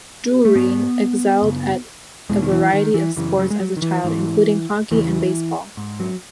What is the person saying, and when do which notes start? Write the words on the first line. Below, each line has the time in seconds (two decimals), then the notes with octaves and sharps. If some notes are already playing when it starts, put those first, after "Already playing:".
Drury excelled at a variety of sports as a child, including hockey and baseball.
0.45 A3
0.56 G#2 B3
1.42 F#2 C#3
2.29 E2 B2 G#3
2.42 D#3
2.52 E3
2.73 D#3
2.94 E3
3.16 F#2 C#3 E3
3.39 F#3
3.50 G#3
3.60 F#3
3.77 D#3
3.82 E3
4.04 G#2 E3
4.91 E2 C#3 E3
5.77 G#2
6.00 F#3